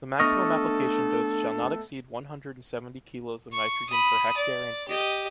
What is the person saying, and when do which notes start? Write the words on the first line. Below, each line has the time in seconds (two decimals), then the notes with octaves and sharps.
The maximum application dose shall not exceed one hundred and seventy kilos of nitrogen per hectare and year.
0.20 A3 B3 D4 A4 D#5 C#6 D#6 F6
3.52 C#6
3.89 B5 D#6
4.37 D5
4.88 G4 D#5